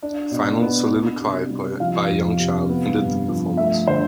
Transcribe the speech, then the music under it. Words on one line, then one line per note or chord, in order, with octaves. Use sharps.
A final soliloquy by a young child ended the performance.
D4
B2
B3
D4
C3
G3
F3 F5
F2
C3
B3
G2
F3
A3 E5
D3 C5